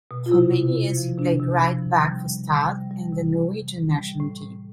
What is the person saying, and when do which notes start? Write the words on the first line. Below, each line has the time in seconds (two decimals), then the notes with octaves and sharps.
For many years he played right back for Start and the Norwegian national team.
0.11 B2
0.26 F4
0.32 C3 E4
0.53 C3
0.76 C3
0.97 F3
1.18 C3 D4
1.40 C3
1.61 F3
1.83 F3
2.05 G3
2.26 G3
2.48 C3
2.69 G3
2.91 G3
3.12 C3
3.33 G3
3.55 E3
3.77 A2
3.99 G3
4.20 A2
4.42 A2